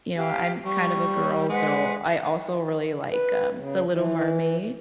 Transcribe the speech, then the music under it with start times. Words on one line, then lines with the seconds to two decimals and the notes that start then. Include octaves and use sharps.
you know, I'm kind of a girl, so I also really like, um, The Little Mermaid,
0.16 G4 F5
0.65 G3 C#6
1.49 G#3 B4 C5 F#5
3.12 B4
3.56 C#3
3.90 E3